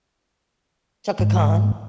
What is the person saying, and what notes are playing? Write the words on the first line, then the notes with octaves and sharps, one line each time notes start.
Chaka Khan.
G#2